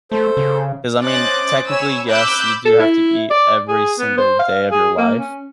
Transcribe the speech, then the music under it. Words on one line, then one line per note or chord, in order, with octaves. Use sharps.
'Cause I mean, technically, yes, you do have to eat every single day of your life,
A3 A4 C5
C#3
C#4 C5 D#5 D6 F#6 A6
C#5 G#5 B5 E6
B5 D6 E6 F#6 G6
A4
E4
D5
G#4
B3
C5
F5
G#4
A#3
C#4